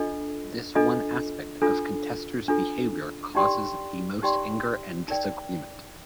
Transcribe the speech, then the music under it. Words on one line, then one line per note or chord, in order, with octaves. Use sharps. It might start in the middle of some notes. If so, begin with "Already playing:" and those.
This one aspect of contesters' behaviour causes the most anger and disagreement.
Already playing: D4 F4 A4 D#5
D4 F4 A4 D#5
D4 F4 A4
D4 F4 A4
D#4 G4 D5 G5 C6
D#4 G4 D5 G5 C6
D#4 A#4 D5 G5